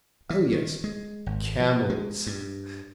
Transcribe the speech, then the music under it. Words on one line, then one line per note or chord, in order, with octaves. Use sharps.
Oh yes, camels.
E3
D#3
G#3
G#1
F3
G#3
G2